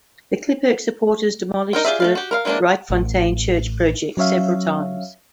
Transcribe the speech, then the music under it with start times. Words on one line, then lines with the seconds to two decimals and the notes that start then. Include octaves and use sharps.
The Klipkerk supporters demolished the Rietfontein Church project several times.
1.73 D#4 A#4 G5
1.85 F4 G4 G#4 D5 E5
2.00 A3 E4 F5
2.15 F#4 G4
2.31 A#4 B4 F5
2.45 E3 G#3 A#3 C4 D4
2.90 A1
4.17 F#3 C#4 C#5 E5 F5